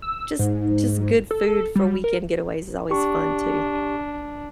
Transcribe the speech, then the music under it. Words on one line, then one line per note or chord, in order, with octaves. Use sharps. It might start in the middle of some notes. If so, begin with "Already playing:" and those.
just just good food for weekend getaways is always fun too.
E6
G#2
A4
G3
A#4
D4 G4 C#6